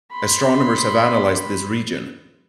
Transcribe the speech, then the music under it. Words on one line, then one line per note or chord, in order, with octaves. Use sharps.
Astronomers have analyzed this region.
B5 C6